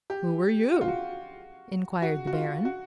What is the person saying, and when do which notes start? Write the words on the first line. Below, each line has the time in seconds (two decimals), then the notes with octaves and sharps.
"Who are you?" inquired the Baron.
0.10 G4
0.74 F#4
0.81 F4
0.88 F#4
2.02 F#4
2.27 F#4
2.33 F4
2.65 F#4